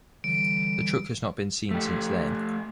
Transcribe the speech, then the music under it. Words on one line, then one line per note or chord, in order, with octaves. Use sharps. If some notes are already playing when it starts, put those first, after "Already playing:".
The truck has not been seen since then.
D3 E3 G3 D7
A3 G4